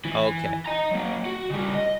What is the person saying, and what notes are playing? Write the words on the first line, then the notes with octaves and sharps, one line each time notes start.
oh okay.
E3
D#5 A#5
F#3 A#3
F#4
C#3 G3
D#5